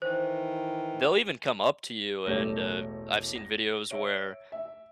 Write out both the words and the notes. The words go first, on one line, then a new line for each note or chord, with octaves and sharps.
they'll even come up to you, and, uh, I've seen videos where
D#3 E3 C5
E1 A1 A3 G4 C#5 A#6
A#6
C#5 E5 D7
E5